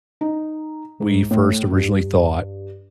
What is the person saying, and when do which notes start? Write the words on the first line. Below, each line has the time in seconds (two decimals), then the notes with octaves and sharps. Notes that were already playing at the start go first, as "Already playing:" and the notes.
we first originally thought,
0.21 D#4
1.01 G#2
1.31 A2
1.72 G2